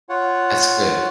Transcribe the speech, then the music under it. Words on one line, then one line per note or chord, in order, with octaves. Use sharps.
That's good.
F4 C#5 F#5